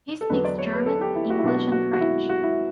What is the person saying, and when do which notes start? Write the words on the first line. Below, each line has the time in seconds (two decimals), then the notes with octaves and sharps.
He speaks German, English, and French.
0.21 A4
0.30 E2 D3 F#3 B3 D4 B4
0.45 D5
0.58 C#5
0.73 B4
0.86 A4
1.01 G4
1.15 E4
1.30 F#4
1.39 E4
1.44 B2 F#3 B3 D4 F#4
1.72 F#4
1.93 F#4
2.01 E4
2.29 F#4
2.43 E4